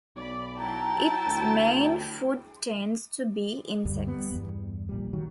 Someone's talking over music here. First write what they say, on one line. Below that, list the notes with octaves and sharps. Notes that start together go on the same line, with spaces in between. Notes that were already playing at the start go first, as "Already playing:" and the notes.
Its main food tends to be insects.
B1 D5 B5
F#3 E4 G5 A5 A#5
D2
D2 G2 G3
G3 B3
E2 G2
A#1 A#2 G3
D#3 F#3